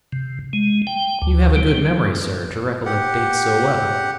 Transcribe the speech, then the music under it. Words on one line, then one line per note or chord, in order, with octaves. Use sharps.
"You have a good memory, sir, to recollect dates so well."
C3
G#3
G5
D2
G3
G4 F#5